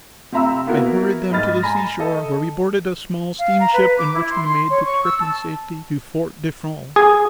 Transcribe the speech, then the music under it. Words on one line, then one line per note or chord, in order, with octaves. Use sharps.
I hurried them to the seashore, where we boarded a small steamship, in which we made the trip in safety to Fort de France.
C3 F4 E5 A#5 B5 E6
A#3 B3 E4 F#4 A#4
G#2 D#5 B5 F6 A6
G#5 A#5 B5 A#6
A4 D#5
F5
A#5
B4
D6
E4
C6
C6
C#5
C#6
E6
A5
G#4